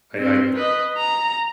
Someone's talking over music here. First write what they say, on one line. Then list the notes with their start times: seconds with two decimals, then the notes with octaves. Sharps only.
I I
0.19 C4
0.56 B4 D#5
0.97 A#5